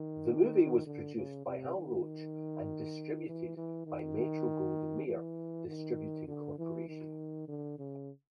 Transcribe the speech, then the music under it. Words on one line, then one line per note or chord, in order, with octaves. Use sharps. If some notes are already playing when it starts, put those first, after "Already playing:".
The movie was produced by Hal Roach and distributed by Metro-Goldwyn-Mayer Distributing Corporation.
Already playing: D#3
D3
C#3
C3
D#3
E3
E3
D#3
E3
D#3
D3
E3
D#3
D3
C#3